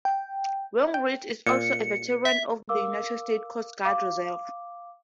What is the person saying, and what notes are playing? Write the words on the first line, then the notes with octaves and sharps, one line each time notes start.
Wainwright is also a veteran of the United States Coast Guard Reserve.
G5
G5
A#2 C#7
E5
A#4 F5 D6 E6
F5 D6